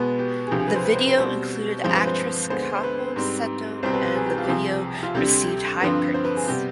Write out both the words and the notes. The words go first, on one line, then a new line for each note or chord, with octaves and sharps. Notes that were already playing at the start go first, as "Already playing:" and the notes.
The video included actress Kaho Seto and the video received high praise.
Already playing: B2 G#3 B3 B4
G4
G#4
D2 C3 F3 G4
G#4
B4
C5
B4
C5
B4
B2 G3 C4 C5
G2 F3 G#3 C4 C5
B4
C5
D2 D3 G#3 B3 C5
C5
B4
G#2 G3 C4
C2 B2 G3 C4 C5
B4
B4
G#4
G4
F4
G4
C2 C3 F3 G#4
F4
D2 C3 G3 C4 G4
G4
G2 D3 F3 C4 B4
C5
B4
G#4
C3 G3 B3 G4